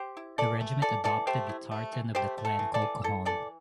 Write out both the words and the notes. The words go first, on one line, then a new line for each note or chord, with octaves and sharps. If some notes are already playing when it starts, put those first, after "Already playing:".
The regiment adopted the tartan of the Clan Colquhoun.
Already playing: G4 C5
E4
E3 A4 D5
A3
E3 A4 D5
E3 A4 D5
A3 G4 C5
E4
A3
E3
A3 G4 C5
A3
A4
E3
A4 D5
E3
E4 A4
E3 A4 D5